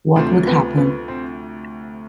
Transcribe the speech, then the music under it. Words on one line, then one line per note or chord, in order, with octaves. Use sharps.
What would happen?
D2 C3 F3 C4
B3
B3
C4